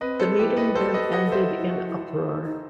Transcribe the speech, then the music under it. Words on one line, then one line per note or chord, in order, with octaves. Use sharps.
The meeting then ended in uproar.
C4 B4 D#5
A4 C5
E4 F#4 G4 B4
B4 D#5
F#4 A4 C5
B4 D#5
G4
D#5 F#5
A4
C5 E5
E4
F#4
E4
E4
D#4
D#4